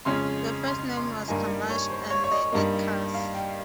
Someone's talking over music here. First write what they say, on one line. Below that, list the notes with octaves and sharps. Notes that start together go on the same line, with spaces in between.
The first name was "Kamash and the Eckers".
F2 C#3 G#3 C#4 C6
C6
C6
G2 G3 A#3 D#4 G#5
C#5
C5
C#5
C#5
D#5
G2 G3 A#3 D#4
F5
G5